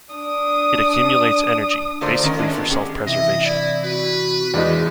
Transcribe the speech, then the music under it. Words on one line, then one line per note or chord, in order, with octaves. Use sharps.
It accumulates energy, basically for self-preservation.
D4 D#6
D3 A3 F4 A#4 C5 D5
D#3 C#4 A#4
G#3 C#4 D4 E4
A#2 B3 D4 F#4
C#4 G4 G#4
C3 E3 D#5 E5
E4 D5
F#4 B4
E2 G#3 A3 D5 D#5